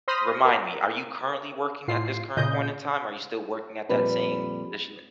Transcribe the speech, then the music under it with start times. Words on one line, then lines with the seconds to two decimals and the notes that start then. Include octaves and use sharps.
remind me, are you currently working at this current point in time? Are you still working at that same position tha
0.08 C5 B5 C6 D#6 F6 A#6
0.45 A#4
1.88 A2 F4 C7
2.37 A#2 C#3 D#5 G6
3.89 F2 A#2 G3 B4